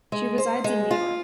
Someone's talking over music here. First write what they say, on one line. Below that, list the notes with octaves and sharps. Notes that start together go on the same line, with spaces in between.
She resides in New York.
G#3
C5
G#3
F4